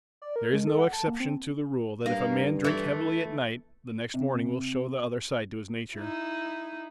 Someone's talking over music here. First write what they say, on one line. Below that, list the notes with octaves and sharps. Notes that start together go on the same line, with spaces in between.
There is no exception to the rule that if a man drink heavily at night the next morning will show the other side to his nature.
D5
A#4
G#3
A4
F#5
A5
A#3
C4
G2 A#3
E3 A3
C3
D#4 E4